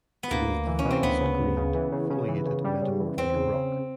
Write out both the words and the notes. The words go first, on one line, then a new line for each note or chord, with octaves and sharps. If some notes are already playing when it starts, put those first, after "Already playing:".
It is the finest grained foliated metamorphic rock.
B3
D2 A#3
D2
E3
C#4
E3
C4
D2 B3
C#3
D2
C#3
E3
C#3
C#3
E3
C#3
G3
C#3
E3
E2 C4
C#3
C#3